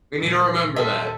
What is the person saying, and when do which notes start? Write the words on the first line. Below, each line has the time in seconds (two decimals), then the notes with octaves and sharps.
We need to remember that.
0.19 D#1 D#3 E6
0.76 A4 D#5 E5 G5 C6